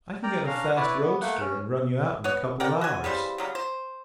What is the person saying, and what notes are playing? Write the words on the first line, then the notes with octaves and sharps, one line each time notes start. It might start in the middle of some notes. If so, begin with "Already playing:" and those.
I can get a fast roadster and run you out in a couple of hours.
A#4 D5 G5 A#5
C#4 D4 F5 A#5
E4 B4 C#5 D5
B3
A3 A#3 F#5
C#4
B3 C#5
A#4 D5 F#5 G5
F#4 G#5
C#3 E3 G3 C5
C#3 F#3 G3
C5